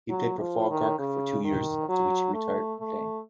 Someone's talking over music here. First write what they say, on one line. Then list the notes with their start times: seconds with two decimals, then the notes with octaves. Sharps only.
He played for Falkirk for two years, after which he retired from playing.
0.10 F#3
0.40 F3
0.70 D#3
0.99 C#3
1.44 D#3
1.89 F#3
2.34 A3
2.79 A3